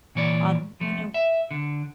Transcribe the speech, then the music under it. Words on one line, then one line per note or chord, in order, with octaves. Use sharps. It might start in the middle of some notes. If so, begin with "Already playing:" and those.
Um, you know
A#2 E3 C#5 D5
F3 A3
E5
D3